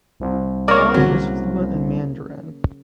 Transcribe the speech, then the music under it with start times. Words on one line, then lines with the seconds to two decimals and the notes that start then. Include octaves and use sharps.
Tai is fluent in Mandarin.
0.20 C2
0.68 C#3 A#3 A#4 C#5 D5
0.94 A#1 D3 F#3